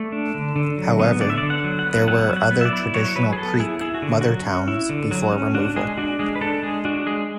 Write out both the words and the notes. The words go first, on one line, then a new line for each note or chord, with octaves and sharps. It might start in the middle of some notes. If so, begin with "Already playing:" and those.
However, there were other traditional Creek "mother-towns" before removal.
Already playing: A3 D5
D4
D3
D3
F#3
B3
D3 D5
E5
D5
D3
F#5
F#3
F#5
B3
F#3 F#5
F#3
F#5
B3
E5
D5
E4
F#3 C#5
F#3 B4
G#4
B3 A4
E4 G#4
E4 G#4
F#4
D3
F#3 F#4
C#4
E4
D3
F#3
C#4
D4 F#4
G#3 G#4
D4 F#4
G#3 G#4
B4
D4 A4
G#3 G#4
D4 F#4
G#3 G#4